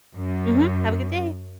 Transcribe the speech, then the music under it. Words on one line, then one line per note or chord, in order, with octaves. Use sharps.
Mhm. Have a good day.
F#2